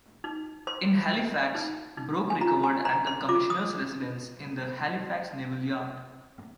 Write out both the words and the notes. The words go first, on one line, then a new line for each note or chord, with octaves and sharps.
In Halifax, Broke recovered at the Commissioner's residence in the Halifax Naval Yard.
D#4
C5 C6
C5
D#4
D#4
G#5
F4 A#5
G#5
C5 A#5
C6
F4 D6
D#6